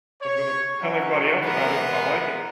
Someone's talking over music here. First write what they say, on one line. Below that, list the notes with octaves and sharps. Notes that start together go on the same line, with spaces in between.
I'm gonna tell everybody else about it if I like it."
C#5
F#3 C#4 D#4 F#4
E3 G3 G#3 B3 A#4 B4